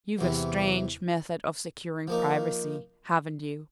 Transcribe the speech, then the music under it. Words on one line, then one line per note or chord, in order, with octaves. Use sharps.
You've a strange method of securing privacy, haven't you?
E2 C3 E3
F3 A#3 D#4